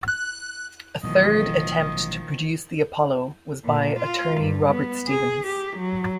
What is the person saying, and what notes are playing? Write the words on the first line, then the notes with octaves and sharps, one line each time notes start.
A third attempt to produce the Apollo was by attorney Robert Stevens.
F#6
A1 B2 D#3 F3 F#3 D#5
A#2
F4
G2
B3
G#4
G4
F#3